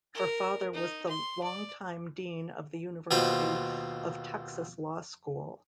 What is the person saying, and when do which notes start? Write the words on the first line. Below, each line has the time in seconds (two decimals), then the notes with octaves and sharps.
Her father was the longtime dean of the University of Texas Law School.
0.14 A#4
0.74 D#4
1.09 C6
1.43 D5
3.11 D#2 B2 F4 C5 B5